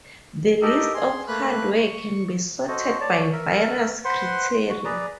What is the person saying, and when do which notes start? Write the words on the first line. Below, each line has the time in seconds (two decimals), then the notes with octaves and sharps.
The list of hardware can be sorted by various criteria.
0.62 D#4 G4 A4 A#4 D#5
0.94 G#4 C6
1.27 A3 A#3 B4 F#6
1.79 C#6
2.68 F#4 A4 C5 D#5
3.01 C#5 D5 A5
3.32 A#4 E5
4.05 B4 C5 F#5 C6
4.70 F#4
4.85 G#4 B4 D5 A#5